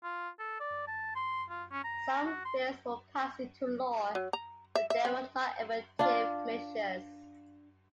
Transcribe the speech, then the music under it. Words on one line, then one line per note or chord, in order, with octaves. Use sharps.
Some bills were passed into law, but they were not effective measures.
F4
A4
D5
A5
C6
F4
C#4
A#5
F#4
C6
F#3
A#5
E5
E5
C4
D4 F4